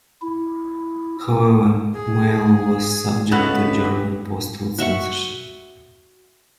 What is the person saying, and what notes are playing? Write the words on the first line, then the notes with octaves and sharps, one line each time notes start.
However mail was subject to German postal censorship.
E4
G#4
C#2 A3 B3 F#4 B4
F#4 E5 F#5 C#6